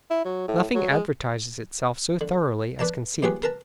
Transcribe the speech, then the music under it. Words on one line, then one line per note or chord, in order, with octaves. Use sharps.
Nothing advertises itself so thoroughly as conceit.
E4
F#3
A2
F#3
G#3
D3
B4 D5 A5 A#5
D#2 F3 G4 G#4 B4 C#6
A#4 B4 A5 A#5